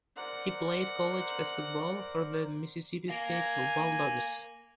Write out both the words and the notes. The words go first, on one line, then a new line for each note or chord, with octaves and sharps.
He played college basketball for the Mississippi State Bulldogs.
A#4 C5 D5 F#5
A#4 F5 G#5